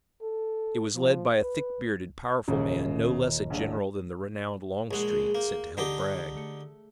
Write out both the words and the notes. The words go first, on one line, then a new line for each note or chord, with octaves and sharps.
It was led by a thick-bearded, powerful man, no less a general than the renowned Longstreet, sent to help Bragg.
A4
F3
B4
D#1 C#3
D#1 A#1
A#1 G#3 G#4 F#5
A#3 G6
D3 D#4 G4
A3 C#7